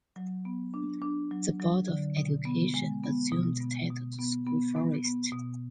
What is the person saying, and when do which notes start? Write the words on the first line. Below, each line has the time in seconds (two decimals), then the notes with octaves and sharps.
The board of education assumed title to school forest.
0.16 F#3
0.45 B3
0.74 D4
1.02 D4
1.31 F#3
1.60 F#3
1.88 D3
2.17 B2
2.45 B3
2.74 G#3
3.04 B3
3.32 B2
3.60 B3
3.90 B2
4.19 B3
4.47 B3
4.76 B3
5.05 B3
5.32 B2